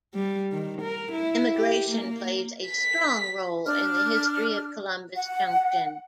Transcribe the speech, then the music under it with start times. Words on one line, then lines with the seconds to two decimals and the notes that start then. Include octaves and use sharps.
Immigration plays a strong role in the history of Columbus Junction.
0.14 G3
0.52 D#3
0.82 A#4
1.12 E4
1.55 G4
1.91 A#3
2.68 B6
3.65 D4 F6
5.14 F#5